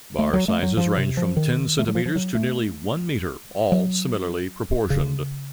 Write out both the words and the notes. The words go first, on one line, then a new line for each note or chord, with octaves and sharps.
Bar sizes range from ten centimetres to nearly one metre, all similarly proportioned.
A3
F#3
A3
F#3
F3
C3
F3
D#3
A3
F#3
F3
F3
F#3
A3
F#3
C#3